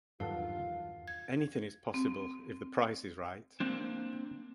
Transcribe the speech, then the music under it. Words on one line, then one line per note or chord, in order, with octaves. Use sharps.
Anything is possible, if the price is right!
E2 G2 D#3 F#3 F4 A4 F5 F#5
G#6
C4
A#3 C4 D4